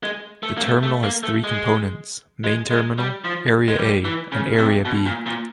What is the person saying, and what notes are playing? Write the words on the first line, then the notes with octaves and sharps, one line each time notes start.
The terminal has three components, Main Terminal, Area A and Area B.
G#3
A3
A#3
A3
A3
A#3
A3
G#3
G#3
G#3
G3
F3
G#3
G3
E3
C#3
C3
B2
A#2
A#2